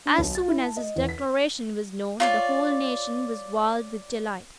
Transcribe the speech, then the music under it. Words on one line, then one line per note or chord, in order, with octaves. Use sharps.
As soon as his declaration was known, the whole nation was wild with delight.
D4
B1
A6
E4
A5
D#5
E2
B6
F4 C#5 D5